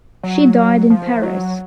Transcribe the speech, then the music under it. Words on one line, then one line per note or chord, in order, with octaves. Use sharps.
She died in Paris.
F#3
F3
F#3